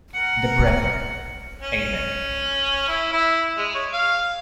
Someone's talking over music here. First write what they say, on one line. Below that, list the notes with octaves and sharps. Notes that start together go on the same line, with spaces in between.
The Brethren: Amen.
A#4 F#5
C#4
E4
E4
G#3
C#5
F5